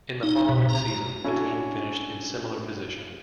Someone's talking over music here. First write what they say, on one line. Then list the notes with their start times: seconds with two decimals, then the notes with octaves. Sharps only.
In the following season, the team finished in similar position.
0.23 D#4
0.49 B2
0.69 A#5
1.24 C#4 D4 E4 F#4 A4